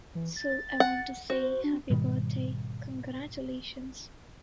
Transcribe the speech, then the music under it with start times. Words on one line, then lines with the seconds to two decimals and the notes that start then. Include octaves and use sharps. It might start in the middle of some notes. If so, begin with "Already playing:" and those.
So I want to say, Happy birthday, congratulations.
0.15 E3
0.36 A6
0.80 F#5
1.30 F#4 C5
1.64 D4
1.90 G#2 B2 D#3 G3